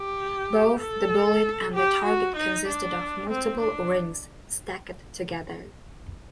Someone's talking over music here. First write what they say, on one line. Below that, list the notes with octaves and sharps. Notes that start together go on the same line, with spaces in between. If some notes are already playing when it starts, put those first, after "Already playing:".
Both the bullet and the target consisted of multiple rings stacked together.
Already playing: G4
A4
G4
F#4
D#4
D4
C4
D4